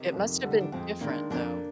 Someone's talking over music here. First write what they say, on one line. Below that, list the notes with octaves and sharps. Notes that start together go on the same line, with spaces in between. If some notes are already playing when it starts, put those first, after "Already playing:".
It must have been different, though.
Already playing: C3 D#3
F2
D3 G3
D#4
D4
F2 G#3 C4
D#3 G#3 A#3 D4
F2 A#3 D4